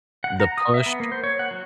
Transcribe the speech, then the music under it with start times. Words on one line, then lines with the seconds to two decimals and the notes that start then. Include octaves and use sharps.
The push
0.24 F#5
0.40 A#5
0.58 D#6
0.74 E5
0.86 B3
1.00 A#3
1.12 C5
1.24 C#5
1.39 F#5
1.51 F#3